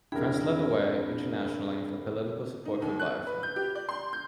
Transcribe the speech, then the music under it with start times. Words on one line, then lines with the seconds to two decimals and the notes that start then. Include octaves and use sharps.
France led the way, internationally, for political support of Biafra.
0.12 F1 D4 E4 G#4 A#4 G5
2.65 D#4
2.82 D#2
2.99 F#6
3.27 B4
3.43 G6
3.56 G4
3.75 D5
3.89 C6
4.13 G6